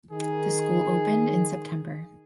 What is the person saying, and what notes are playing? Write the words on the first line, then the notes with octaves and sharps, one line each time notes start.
The school opened in September.
D#3 G#4